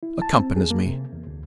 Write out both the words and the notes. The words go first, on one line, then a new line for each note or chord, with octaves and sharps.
'Accompanies me.
E4
A5
C4
G#4
A#3
C3
E2
D2